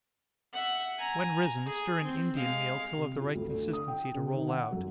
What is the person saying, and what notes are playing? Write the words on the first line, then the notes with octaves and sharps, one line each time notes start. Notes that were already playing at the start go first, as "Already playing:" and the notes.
When risen, stir in Indian meal till of the right consistency to roll out.
E5 F#5
G#5 A#5
G#4
C4
G#3 F5
C3
F4
D2
D3
D#6
G5
C#3
D#3
F#5
F#2